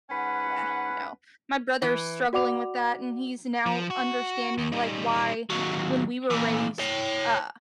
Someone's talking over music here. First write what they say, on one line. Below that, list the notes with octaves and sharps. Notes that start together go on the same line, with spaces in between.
Yeah, no. My brother's struggling with that, and he's now understanding, like, why, when we were raised, uh,
G#2 C#4 B4 F#5
E3
F#4 D5 F#5 D6 F7
F3
F#4
D#2
G3 D#4
D#2 F#3
A#2 E3
C#5 G5